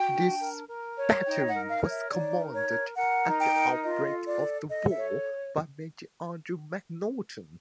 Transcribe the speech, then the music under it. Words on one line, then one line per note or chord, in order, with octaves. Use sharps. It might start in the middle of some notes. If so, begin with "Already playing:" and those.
This battery was commanded at the outbreak of the war by Major Andrew McNaughton.
Already playing: F#4 G5
D4
A#4
A#4
C#5
D#4 G5
F#5
A#4
F5
C#5
E5
D#4 D5
A#4
C#5
A#4
A#4 F#5
D#4
G5
A#4
F4 D#5
A4
D5
A4
A4 D#5
E5
C#5